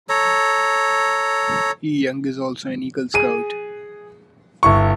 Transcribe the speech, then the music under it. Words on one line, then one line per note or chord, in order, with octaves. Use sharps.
Young is also an Eagle Scout.
A4 C#5 A#5
G#4 D#7
G1 E4 C#6